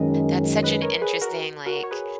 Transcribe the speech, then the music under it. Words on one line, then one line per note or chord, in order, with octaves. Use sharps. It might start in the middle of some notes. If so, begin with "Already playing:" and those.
that's such an interesting, like
Already playing: F#2 D#3 G#3 C#4 B4 D#5
B4 D#5
A#4 C#5
G#4 B4
F#4 A#4
F#4 A#4
C#5
G#4 B4